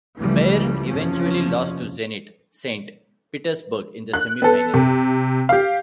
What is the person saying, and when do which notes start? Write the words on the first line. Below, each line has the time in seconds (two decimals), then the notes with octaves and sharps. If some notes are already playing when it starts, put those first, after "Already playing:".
Bayern eventually lost to Zenit Saint Petersburg in the semi-final.
0.17 C#2 E3 F3 G3 A3
0.88 F#1 E2 C3 F3 C#4
4.14 F#6
4.42 B3 A4
4.74 C3
5.49 G4 F5